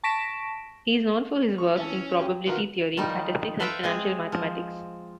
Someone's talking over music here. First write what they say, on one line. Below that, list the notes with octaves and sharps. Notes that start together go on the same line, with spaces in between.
He is known for his work in probability theory, statistics and financial mathematics.
A5 C#6 A#6 B6 D7 E7
C#6
E3 C#4 E5 A5
F#3 G4
D#3 F4 F#4 A#4 B4
D#3 F3 G3 D#4
A4 B4 C5 E5 F5 G5
G#3 C4 G#4
F3